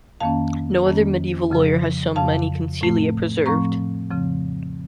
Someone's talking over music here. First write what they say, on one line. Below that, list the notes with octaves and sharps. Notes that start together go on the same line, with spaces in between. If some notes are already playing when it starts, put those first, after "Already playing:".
No other medieval lawyer has so many consilia preserved.
F2 D#3 A#3 C#4 F5 A5
F2 D#3 A#3 C#4
F2 C#3 F3
F2 C#3 F3 F5 A5
A2 F3 A3 C4
A2 F3 A3 C4 A#5 C#6
F2 C#3 F3 C4